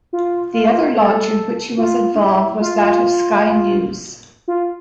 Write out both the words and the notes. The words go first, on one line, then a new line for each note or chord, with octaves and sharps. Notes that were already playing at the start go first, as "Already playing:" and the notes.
The other launch in which he was involved was that of Sky News.
F4
F4
A4
F4
D4
E4
F4
F4